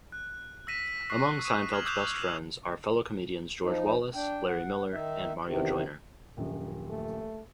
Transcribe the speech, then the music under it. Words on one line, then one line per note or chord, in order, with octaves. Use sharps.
Among Seinfeld's best friends are fellow comedians George Wallace, Larry Miller, and Mario Joyner.
F#6
E6 F#6 A#6 B6 D#7 E7
C#6 E6 F#6 C7
D#6 D#7 E7
F6 G#6 B6 F#7
D6 E6 F#6 G6 E7 F7
F3 D#4
D4 G5
F#5
D#3 D#4 E5
E2 C3 D#3
D#1 A#1 F#2
A3